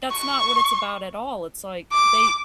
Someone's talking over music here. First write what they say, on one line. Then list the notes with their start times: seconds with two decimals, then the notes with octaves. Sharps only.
that's not what it's about at all, it's, like, they
0.12 C#6
1.93 D6